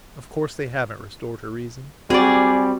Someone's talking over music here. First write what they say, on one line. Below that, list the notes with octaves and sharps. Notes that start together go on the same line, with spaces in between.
Of course, they haven't restored her reason.
G3 C4 F#4 G#4 D5 G5